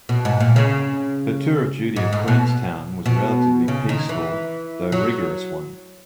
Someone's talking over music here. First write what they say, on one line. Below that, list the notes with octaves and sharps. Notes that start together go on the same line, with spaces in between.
Her tour of duty at Queenstown was a relatively peaceful, though rigorous, one.
B2
G#2
A#2
C#3
G#2
G#2
B2
B2
C#3
D#3
E3
F#3